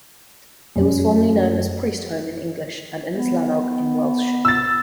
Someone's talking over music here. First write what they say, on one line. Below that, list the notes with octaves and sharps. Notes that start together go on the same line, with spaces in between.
It was formerly known as Priestholm in English and Ynys Lannog in Welsh.
F#2
B3
E6 A6